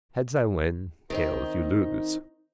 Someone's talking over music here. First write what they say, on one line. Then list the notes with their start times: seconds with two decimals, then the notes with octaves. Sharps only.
Heads I win tails you lose.
1.10 D#3 C4 D#4